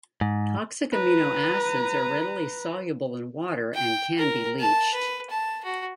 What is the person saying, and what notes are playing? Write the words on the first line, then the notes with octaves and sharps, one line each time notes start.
Toxic amino acids are readily soluble in water and can be leached.
G#2
B4 A#5
G5
A#4
A5
B4
A5
F#4